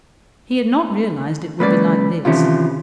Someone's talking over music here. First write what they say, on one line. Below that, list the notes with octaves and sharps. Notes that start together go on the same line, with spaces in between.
He had not realized it would be like this.
C#2 F#3 A#3 B4 D5
C3 D#3 E3 C#4 E4 F4